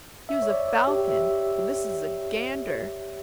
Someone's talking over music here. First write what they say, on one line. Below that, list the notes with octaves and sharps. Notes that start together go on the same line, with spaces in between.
He was a falcon, but this is a gander.
E5
C#5
D5
C#5
G4
E5